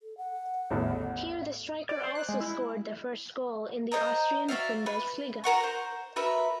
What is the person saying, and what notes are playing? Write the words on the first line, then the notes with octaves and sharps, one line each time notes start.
Here the striker also scored the first goal in the Austrian Bundesliga.
A4
F#5
A1 E2 A4
D5
C5
F#6
G#3
E4
C5 C#5 D#5 A#5
F#4 D5 E5 F5
B4
F#4 A#4 F#5 C#6
C5
F#4 A#4 B4 E5